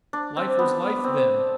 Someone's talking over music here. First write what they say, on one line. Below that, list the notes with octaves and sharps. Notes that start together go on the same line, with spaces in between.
Life was life then!
D4
C4
B3
B3
C4